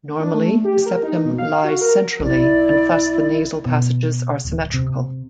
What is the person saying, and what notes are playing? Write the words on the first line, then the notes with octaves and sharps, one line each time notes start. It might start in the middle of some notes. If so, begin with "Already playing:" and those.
Normally, the septum lies centrally, and thus the nasal passages are symmetrical.
D4
A3
G4
A#4
D#4
B2
F5
F#4
A#4
B1 E4 D5
B2
D1
C3